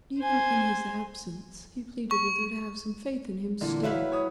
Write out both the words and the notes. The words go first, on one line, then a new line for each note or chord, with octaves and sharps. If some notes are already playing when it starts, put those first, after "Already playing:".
Even in his absence he pleaded with her to have some faith in him still.
C5 G#5
C#6
A#2 D3 E3
F#3 E4 B4 E5 F5
C#5 D#6